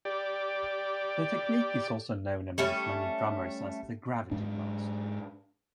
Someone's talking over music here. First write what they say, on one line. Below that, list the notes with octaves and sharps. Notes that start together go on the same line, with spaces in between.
The technique is also known amongst many drummers as the gravity blast.
G4 D5
G3 A3 C#4
G#2 D4